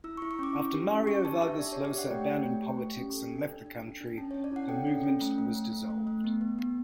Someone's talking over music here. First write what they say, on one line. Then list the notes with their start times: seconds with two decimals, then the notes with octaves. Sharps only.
After Mario Vargas Llosa abandoned politics and left the country, the movement was dissolved.
0.04 E4 E6
0.17 C#6
0.22 E4
0.31 C#6
0.39 C#4 D6
0.56 E4
0.73 G4
0.90 C#4
1.07 D4 C#6
1.25 D4 A5
1.42 G4 E5
1.59 D4 D5
1.72 G4 C#5
1.85 D5
1.94 G4 F#5
2.11 A3 G5
2.29 A3
2.46 A3
2.63 G4
2.80 G4
2.97 C#4
3.14 A4
3.32 D4
3.49 D4
3.66 D4
3.84 D4
4.01 D4
4.18 C#4 A5
4.31 C#4 C#5
4.44 D5
4.52 E4 F#5
4.69 A4 G5
4.87 C#4
5.03 C#4
5.21 A3
5.38 A3
5.55 A3
5.73 A3
5.90 A3
6.07 A3
6.24 B3
6.41 B3
6.59 B3